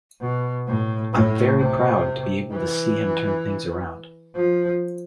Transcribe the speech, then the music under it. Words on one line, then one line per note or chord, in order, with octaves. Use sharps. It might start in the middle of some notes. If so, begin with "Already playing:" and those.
I'm very proud to be able to see him turn things around.
B2
A2
A2
C3
E3
F3